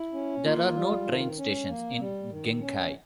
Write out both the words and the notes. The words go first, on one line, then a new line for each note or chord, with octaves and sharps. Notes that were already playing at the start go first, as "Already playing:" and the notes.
There are no train stations in Genkai.
Already playing: E4
C#4
A#3 F4
G3
D#3
C#4
A#3
G3
D#3
C#4